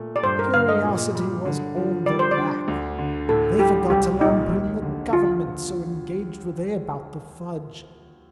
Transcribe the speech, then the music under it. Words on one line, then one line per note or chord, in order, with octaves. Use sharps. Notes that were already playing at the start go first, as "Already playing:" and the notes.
Curiosity was on the rack; they forgot to lampoon the government, so engaged were they about the fudge.
Already playing: A#2 A3
D5
G2 C5
A#4
D3 F5
D#5
A#2
G3
D3
F3
G3 D5
C5
D5
D4
D2
D3
A2 A4
G3 G4
C2 G4
A#2 D#4
D#2
D3
D3 F4
F3